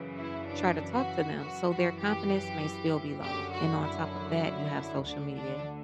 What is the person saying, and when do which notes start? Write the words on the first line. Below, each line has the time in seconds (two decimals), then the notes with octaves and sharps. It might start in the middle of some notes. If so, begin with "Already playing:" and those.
try to talk to them, so their confidence may still be low. And on top of that, you have social media
Already playing: F#2 C#3 E3
0.17 E4
0.48 D4
0.94 F#4
1.39 F#2 E3 F#4
1.70 F#4
2.00 G4
3.22 F#2 D3 G4
3.53 F#4
3.84 E4
5.05 D2 D3 D4
5.35 D4